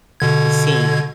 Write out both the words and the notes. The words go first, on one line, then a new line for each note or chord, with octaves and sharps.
the same
B2 D3 G#6